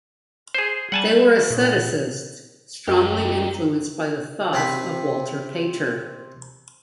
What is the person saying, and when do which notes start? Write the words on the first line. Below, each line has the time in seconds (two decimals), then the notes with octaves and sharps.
They were Aestheticists, strongly influenced by the thoughts of Walter Pater.
0.54 G#4 C5
0.92 G3 F#5 G#5 A5
1.50 A#2
2.88 F#2 D#4 G4
4.53 C3 C4 A5 B5